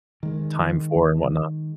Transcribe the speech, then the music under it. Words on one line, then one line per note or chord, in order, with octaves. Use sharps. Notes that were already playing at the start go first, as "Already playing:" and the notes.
time for and whatnot.
D#3 G#3